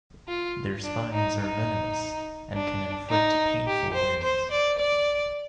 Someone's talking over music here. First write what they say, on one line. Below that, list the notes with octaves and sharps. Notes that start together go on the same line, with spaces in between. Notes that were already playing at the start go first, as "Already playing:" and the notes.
Their spines are venomous, and can inflict painful wounds.
F4
D4
D#4
D#4
D4
D#4
G4
C5
C5
D5
D5